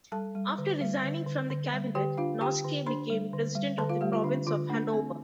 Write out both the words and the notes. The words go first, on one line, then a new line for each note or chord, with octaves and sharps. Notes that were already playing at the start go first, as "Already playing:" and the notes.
After resigning from the cabinet, Noske became president of the province of Hannover.
G3 A4 A5
G3
D3
G3
D3
D3
D3
G3
D3 G4 G5
D4 F4 F5
D3 G4 G5
D3
D4 C5 C6
G3
D3
G3
D3 A4 A5
F4 F5
G3 A3 G4
F4
D3 D4
D3 F4
A3 D4
C4